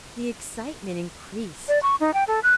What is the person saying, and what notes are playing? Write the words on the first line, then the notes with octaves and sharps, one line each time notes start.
The excitement increased.
D5
C#6
D#4
G5
A4
F#6